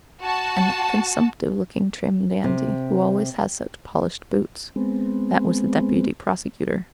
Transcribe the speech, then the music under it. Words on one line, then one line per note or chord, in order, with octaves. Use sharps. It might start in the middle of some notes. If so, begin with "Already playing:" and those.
And that "consumptive-looking" trim dandy, "who always has such polished boots"--that was the deputy prosecutor.
F#4 A5
C3
G#3 B3 C4